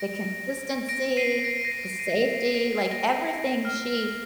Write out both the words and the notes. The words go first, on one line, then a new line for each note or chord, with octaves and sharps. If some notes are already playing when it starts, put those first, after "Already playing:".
the consistency, the safety, like, everything, she
Already playing: A#6 D7
A#6 D7
C7 D#7
A#6 D7
A#6
C7
C7 D#7
A#6 D7
C7
A#6
F6